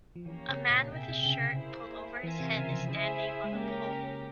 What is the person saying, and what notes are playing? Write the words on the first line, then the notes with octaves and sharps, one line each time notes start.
A man with his shirt pulled over his head is standing on a pole.
F3
E3 A#3 C#4 G4 C#5
C#3
A#2
C3 G#4 E5 G5
C3
C#3
A#3 E4 G#4 C5
E3 C4 F4 A#4 E5 G#5
C3
C#3
F3
C#3 E4 G#4 C5 E5 G#5
G#3
A#3 C#4 G4 A#4